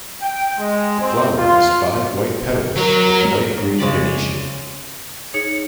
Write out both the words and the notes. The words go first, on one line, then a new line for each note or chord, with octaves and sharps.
The flower has five white petals with light green venation.
G5
G#3
C4
F4
F#3 A#4 C#5
C#3 G#3 D5 B5
D#4 G#4 C#5 C#7